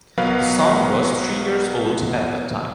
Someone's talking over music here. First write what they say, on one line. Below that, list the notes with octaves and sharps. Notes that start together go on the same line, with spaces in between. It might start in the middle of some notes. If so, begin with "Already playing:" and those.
The son was three years old at that time.
B1 F#3 B3 A#4 B4 F5